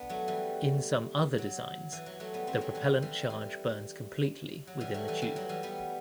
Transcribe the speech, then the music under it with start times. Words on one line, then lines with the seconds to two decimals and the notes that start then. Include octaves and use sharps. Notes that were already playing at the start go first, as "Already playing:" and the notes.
In some other designs, the propellant charge burns completely within the tube.
Already playing: B3 D4
0.09 F#3 A3
0.28 E3 G3
1.38 F#3
1.93 E3
2.06 F#3
2.20 F#3 A3
2.34 G3 B3
2.47 A3 C4
2.61 F#3 A3
2.75 E3 G3
3.02 E3 G3
3.30 E3
4.67 F#3
4.80 E3 G3
4.94 F#3 A3
5.08 E3 G3
5.22 E3 G3
5.36 F#3
5.49 E3 G3
5.63 G3 B3